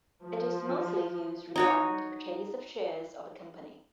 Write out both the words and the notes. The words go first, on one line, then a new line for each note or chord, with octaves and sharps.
It is mostly used regarding the purchase of shares of a company.
F3
D#4 F#4 C#5